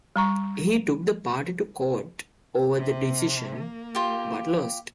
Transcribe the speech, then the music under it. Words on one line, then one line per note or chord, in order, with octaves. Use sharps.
He took the party to court over the decision, but lost.
G3 A#5 C#6
C3
A#3
F4 G4